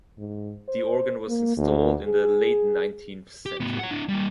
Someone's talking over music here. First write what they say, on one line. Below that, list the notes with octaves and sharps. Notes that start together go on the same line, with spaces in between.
The organ was installed in the late nineteenth century.
G#2
C5
A#3
D2
G#4
G4
A2 B3
C#5 F#5
D4 E4
G3 A#3